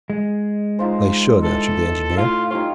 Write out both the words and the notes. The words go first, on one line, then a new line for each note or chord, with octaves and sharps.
"They should," answered the engineer.
G#3
D#4 F4 C5
E3 A4
A2 F4
D#4 F4 G4 C#5